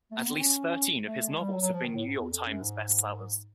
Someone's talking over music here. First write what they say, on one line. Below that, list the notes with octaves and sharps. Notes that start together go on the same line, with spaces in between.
At least thirteen of his novels have been "New York Times" Best Sellers.
A3
A#3
B3
C4
C#4
A3
G#3
G3
F#3
F#3
F3
D#3
A2
G#2
E2
F2
F#2
G#2